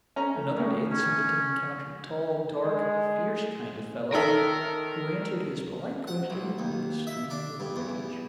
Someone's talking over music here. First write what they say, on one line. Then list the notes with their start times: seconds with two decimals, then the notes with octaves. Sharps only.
Another day the simpleton encountered a tall, dark, fierce kind of fellow, who answered his polite question with a scream of rage.
0.16 C#4 A#5
0.35 A3
0.57 A2 C#3
0.91 C#4
2.62 G#3
4.14 D#3 A4 A#4 E5
6.07 F#5
6.30 B1
6.59 D#2
7.07 E5
7.30 D4
7.60 G2
7.76 E2